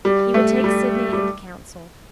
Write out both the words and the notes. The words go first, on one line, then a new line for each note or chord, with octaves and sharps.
He would take Sidney into council.
G3
A3
G3
G3